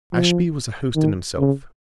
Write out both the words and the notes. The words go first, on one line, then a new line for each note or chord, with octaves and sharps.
Ashby was a host in himself.
F3
D#3
C#3